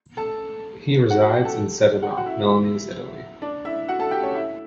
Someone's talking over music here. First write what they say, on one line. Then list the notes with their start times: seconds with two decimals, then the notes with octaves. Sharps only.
He resides in Settimo Milanese, Italy.
0.17 A4 A5
1.10 F#4 F#5
1.22 F#4 F#5
1.33 G4 G5
1.45 A4 A5
2.03 F#5
2.10 G5
2.17 F#4 F#5
2.26 E4 E5
3.42 D4 D5
3.65 E4 E5
3.88 F#4 F#5
3.99 A4 A5
4.11 G4 G5
4.22 C#4 C#5
4.35 E4 E5